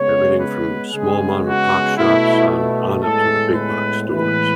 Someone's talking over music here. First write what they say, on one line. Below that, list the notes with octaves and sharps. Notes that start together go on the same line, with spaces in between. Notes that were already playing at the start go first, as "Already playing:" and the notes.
Everything from small mom and pop shops on on up to the big box stores.
Already playing: C#3 G#3 B3 C#5
B4
C#3 G#3 B3 G#4
F#4
B2 A3 E4
A2 G#3 B3 A4
B4
A2 E3 G#3 B3 B4